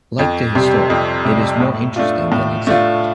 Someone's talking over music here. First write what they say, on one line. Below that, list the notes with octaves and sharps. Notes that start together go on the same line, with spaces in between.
Like the "Histoire", it is more interesting than exact.
F2
C3 G3
F2
C3 G3
A2
A3 D4 F4
A2
A3 D4 F4